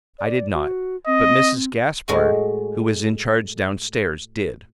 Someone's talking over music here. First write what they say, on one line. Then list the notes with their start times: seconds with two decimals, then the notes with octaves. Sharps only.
"I did not, but Mrs. Gaspard, who was in charge downstairs, did."
0.19 D5
0.54 F#4
1.07 C4 D#5
2.08 A2 G#3 F#4